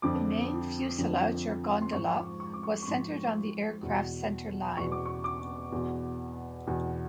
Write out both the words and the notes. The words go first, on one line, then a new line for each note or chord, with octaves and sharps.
The main fuselage, or gondola, was centered on the aircraft's centerline.
F2 D3 F3 D6
F2 D3 F3
C6
G#2 F3 C#6
D6
C#6
D6
C#6
C#6
G#2 F3 C6
E2 B2
E2 B2 C#6
D6
C#6
D6
E2 B2
E2 B2